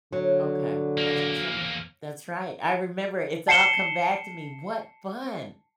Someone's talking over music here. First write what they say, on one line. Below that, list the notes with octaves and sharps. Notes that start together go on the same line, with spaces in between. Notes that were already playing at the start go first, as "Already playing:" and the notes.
Okay. That's right, that's right. I remember it it's all come back to me, what fun.
D3 F#3
E2 A#3
A5 C7 C#7 E7 G7